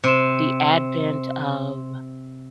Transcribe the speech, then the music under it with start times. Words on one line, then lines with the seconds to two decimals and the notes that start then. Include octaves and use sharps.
the advent of
0.04 C3 C5 C6 E7